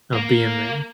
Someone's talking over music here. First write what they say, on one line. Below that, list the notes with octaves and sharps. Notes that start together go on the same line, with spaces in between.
of being there.
A#4 F5